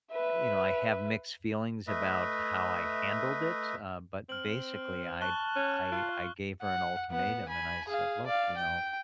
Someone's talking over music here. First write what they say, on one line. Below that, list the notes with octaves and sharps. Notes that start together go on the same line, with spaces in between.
you know, I have mixed feelings about how I handled it, uh, but, basically, I I I gave her an ultimatum, and I said, "Look," you know,
B4 E5
A3 B4 D#5 E5
C4 F6 F#7
A5 C#6 F#6 G7
C#4
F4
F#5
B3 F#5
G#5 B5
G#4 F5
D5 F5
G5